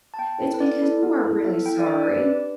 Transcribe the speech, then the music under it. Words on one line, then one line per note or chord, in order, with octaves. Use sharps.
it's because you aren't really sorry
A5
B3 G5
E4 A4
B4
B3 D5
E4 A4
B3
E4 A4
B3 E5
E4 A4 G5
D5
D4 E5
D5
G4
B4
D4 B4